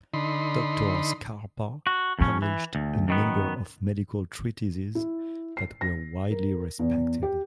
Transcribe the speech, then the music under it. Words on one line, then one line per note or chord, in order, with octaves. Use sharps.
Doctor Scarpa published a number of medical treatises that were widely respected.
D3 D#4 B5 C6
F#4
F2 C#4
E3
D2
F#2 D#3 B3
E4
C7
A#6
A#4
E2
G4